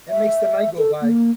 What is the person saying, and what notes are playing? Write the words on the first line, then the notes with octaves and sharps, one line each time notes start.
It makes the night go by.
E5
A4
A#3